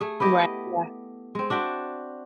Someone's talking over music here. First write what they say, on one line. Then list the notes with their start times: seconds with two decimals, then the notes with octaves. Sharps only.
Right, yeah.
0.01 A3 G#4
0.20 B3 E4 G4 D#5
1.35 G#3 C4
1.50 D4 F#4 E5 G5